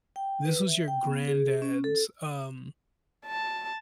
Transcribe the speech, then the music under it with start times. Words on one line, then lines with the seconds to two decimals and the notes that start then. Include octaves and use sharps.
this was your granddad's, um,
0.16 G5
0.45 B4
0.67 E5
0.88 G5
1.04 B3
1.28 G#4
1.62 C#4
1.84 A4
3.26 A5